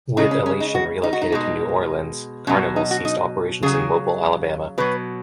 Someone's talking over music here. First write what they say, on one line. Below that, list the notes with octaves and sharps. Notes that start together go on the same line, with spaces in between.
With "Elation" relocated to New Orleans, Carnival ceased operations in Mobile, Alabama.
C#3 G#3 D#4
C#4
C#4
D#4
F#4
D#4
F#4
D#4
B2 G#3
B2 F#3 C#4
D#4
F#4
D#4
C#3 F#3 G#4
B2 F#3 B4